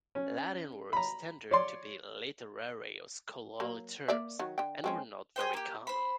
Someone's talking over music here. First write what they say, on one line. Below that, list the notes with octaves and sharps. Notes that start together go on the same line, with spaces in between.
Latin words tended to be literary or scholarly terms and were not very common.
C#4
A#5 B5
C#5 D5 C6
F#3 A#3
A#3 D5 E5
D#3 F#3
D3 G5
G#3 C4 C#4
G#4 B4 C5 G5
A#3 G4
C5 B5